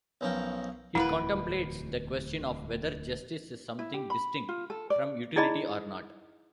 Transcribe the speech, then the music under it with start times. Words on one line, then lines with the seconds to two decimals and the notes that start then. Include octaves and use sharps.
He contemplates the question of whether justice is something distinct from Utility or not.
0.21 B1 F3 C#4 A#4 G5
0.95 D1 E2 B2 A#3 B3 E4 B4
3.79 E4
3.94 G4
4.10 B5
4.49 F4
4.70 A4
4.90 D5
5.36 D#4 E4 G#4 D5 D#5 B5